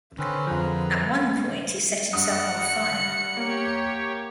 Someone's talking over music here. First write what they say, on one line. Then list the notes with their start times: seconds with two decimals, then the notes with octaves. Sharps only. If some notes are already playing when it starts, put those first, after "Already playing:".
At one point he set himself on fire.
0.19 D3 C4 C#4 B4
0.47 F2 F3 G#4 B4 A#5
2.13 G2 F#5 D#6 C#7
3.36 A#3 G4 C#5